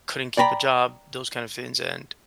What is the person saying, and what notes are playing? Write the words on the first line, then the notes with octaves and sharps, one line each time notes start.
couldn't keep a job, those kind of things and
D5 G5 A#5 B5